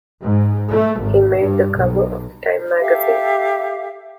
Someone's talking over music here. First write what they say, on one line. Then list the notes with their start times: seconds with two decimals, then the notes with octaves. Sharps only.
He made the cover of "Time" magazine.
0.23 G#2
0.72 A3
1.00 G#1
1.39 G2
1.75 B1
2.78 G4 A4 E5 F5